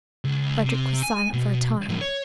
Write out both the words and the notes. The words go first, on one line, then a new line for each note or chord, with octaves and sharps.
Frederick was silent for a time.
C#2
C3
G#5
B2
A2 F3
C#5